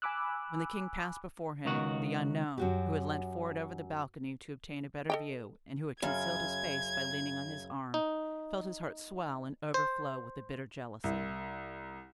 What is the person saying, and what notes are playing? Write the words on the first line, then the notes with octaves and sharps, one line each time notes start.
When the king passed before him, the unknown, who had leant forward over the balcony to obtain a better view, and who had concealed his face by leaning on his arm, felt his heart swell and overflow with a bitter jealousy.
G#5 B5 D6 E6 F#6
C#2 D#3 F#4
F#2 F#4 G4
A4 D#5 G5
F#2 C#3 G#6
D#4
C5
C2